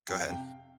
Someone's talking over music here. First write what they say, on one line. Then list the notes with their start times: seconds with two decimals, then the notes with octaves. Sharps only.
go ahead.
0.08 F2 G5
0.19 F5
0.29 C3 G5